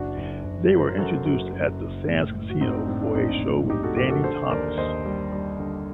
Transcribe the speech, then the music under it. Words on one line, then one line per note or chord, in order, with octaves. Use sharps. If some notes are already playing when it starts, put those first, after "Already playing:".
They were introduced at the Sands Casino for a show with Danny Thomas.
Already playing: F#1 D4 F#4
F#1
F#1
F#3
C5
A#4
F#2 F#4 A4
F#1 F#4 A4
F#2
F#1
A2
A2
F#4
A2 C4 D#4
D4
A2 C4
D4
A#1 C4 D#4
A2
A#1 D#4 G4
F#4 A4
A#1 G4 A#4
F#4 A4
D3 A4 C5
D#2 A#4 D5
D#2 C5 D#5
G3
G3
D3